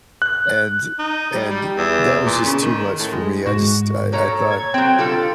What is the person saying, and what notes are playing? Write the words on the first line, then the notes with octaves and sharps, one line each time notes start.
and and that was just too much for me, I just I I thought
F#6
D#4
G3
G3
E2
A#2
C#3
D#3
A2
G#3
G#2 F#4
A#2 A4 C#5 A#5
G#6
F#3 C4 G5
D3 G3 F4 A4